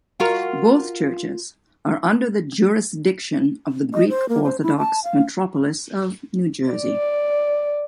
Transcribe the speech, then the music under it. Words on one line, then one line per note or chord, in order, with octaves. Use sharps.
Both churches are under the jurisdiction of the Greek Orthodox Metropolis of New Jersey.
F4 F#4 A#4
D#5
C5
A#3
C5
E4
A5
F5
D5